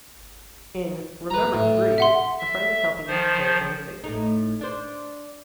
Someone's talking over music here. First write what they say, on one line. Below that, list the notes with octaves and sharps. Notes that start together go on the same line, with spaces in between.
In "Remember to Breathe", a friend is helping him prepare for his date.
B4 A#5
A2
E5 F#5 C6
E5
D#3 F3 C5
A2 A3 D#4
D4 C5